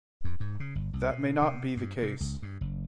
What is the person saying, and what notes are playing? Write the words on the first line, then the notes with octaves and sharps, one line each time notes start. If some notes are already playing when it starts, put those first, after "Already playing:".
That may not be the case.
F2
G#2
C#3
G1
C2
B2
C3
G2
C3
C#2
G2
F#1